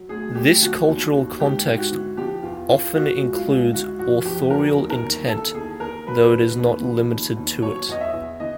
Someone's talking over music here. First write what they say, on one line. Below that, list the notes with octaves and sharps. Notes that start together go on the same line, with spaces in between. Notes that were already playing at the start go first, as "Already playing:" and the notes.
This cultural context often includes authorial intent, though it is not limited to it.
Already playing: F#3
D2 G#4
D2 G4
F3 F#4
D#2
D#2
G#2 G4
G#2
F#4
E3
F3 G4
E2 F4
E2 F4
F#3 F#4
C#2
F4
C#2
E3 F#4
F2 F#4
F2 G4
F#3 A#4
D#2
A#4
D#2
E3 A4
D#2 G#4
D#2 A#4
F#3 B4
D#2
D#2
F3
D#2
D#2
F#3 C#5
E2 D#5
E5
E2
E3 D#5